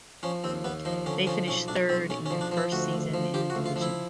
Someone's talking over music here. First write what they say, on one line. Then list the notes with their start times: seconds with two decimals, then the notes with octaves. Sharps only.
They finished third in their first season in the division.
0.23 F3 C#4
0.44 D#2 C4
0.64 D#2 B3
0.85 F3 D#4
1.06 D3 C#4
1.27 F3 C#4
1.48 B1 C#4
1.68 B1 D4
1.89 B1 C4
2.10 B1 C#4
2.26 C#4
2.30 F3
2.41 D4
2.51 F3
2.57 E4
2.72 D2 F#4
2.93 D2
3.14 F3
3.34 F3 G4
3.50 F#4
3.55 D2
3.66 F4
3.76 F3
3.81 E4